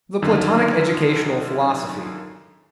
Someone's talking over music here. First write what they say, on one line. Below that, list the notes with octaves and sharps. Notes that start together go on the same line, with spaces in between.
The Platonic Educational Philosophy.
F#2 D3 D#3